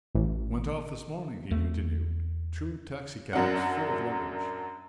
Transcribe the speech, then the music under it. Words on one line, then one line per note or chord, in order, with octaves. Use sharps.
"Went off this morning," he continued; "two taxi-cabs full of luggage."
A1
E2 A3
F#2 F#3 D4 F#5